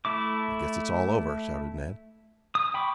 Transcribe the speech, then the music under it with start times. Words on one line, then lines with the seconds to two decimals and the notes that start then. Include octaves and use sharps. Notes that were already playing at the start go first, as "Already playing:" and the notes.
"I guess it's all over," shouted Ned.
0.05 A3 E4 D6
2.55 D#6
2.74 G5 B5 C#6 D6